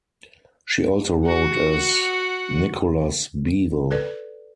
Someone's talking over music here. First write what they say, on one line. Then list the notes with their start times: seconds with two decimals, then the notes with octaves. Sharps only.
She also wrote as Nicholas Bevel.
1.26 F#4 F#5
3.91 A4 B4 D5